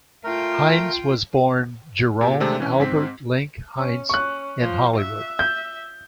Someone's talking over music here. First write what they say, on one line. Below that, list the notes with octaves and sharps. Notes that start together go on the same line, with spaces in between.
Hines was born Jerome Albert Link Heinz in Hollywood.
A3 F4 A#4 G5
A#2 G4
C3 G#3 A3 C4 D4
E3 C#4
G#2 C4 B6
C#4
C#4 C#6 F#6
F3
E5
G6